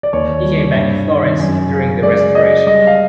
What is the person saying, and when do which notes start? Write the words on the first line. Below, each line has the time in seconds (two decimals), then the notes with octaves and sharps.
He came back in Florence during the Restoration.
0.03 D5
0.13 D#2 C#5
0.44 G3
0.75 G2
1.08 D#3
1.39 F#2
1.71 C#3
2.03 G#3 D5
2.34 G#3 D#5
2.66 G3 D#5
2.87 F5